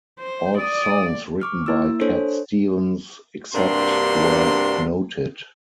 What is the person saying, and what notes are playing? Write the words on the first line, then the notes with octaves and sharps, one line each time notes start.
All songs written by Cat Stevens except where noted.
C5
D5 D#6
C#6 D6 F6
A#3 E4 E6
D4 A4 C5 C#5
G2 C3 A#3 D4 F#4 C6